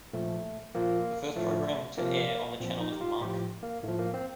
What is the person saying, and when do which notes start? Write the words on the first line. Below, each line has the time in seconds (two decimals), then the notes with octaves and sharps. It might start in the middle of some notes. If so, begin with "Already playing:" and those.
The first program to air on the channel was Monk.
0.14 A#2 F3 A3
0.75 A#2 F3 A#3
1.36 A2 F3 A3
1.98 C3 F3 A#3
2.60 A#2 F3 C4
2.80 D#4
2.92 G4
3.01 F4
3.22 A2 F3 G4
3.63 A#3
3.83 A2 F3 A3
3.99 A#3
4.14 C4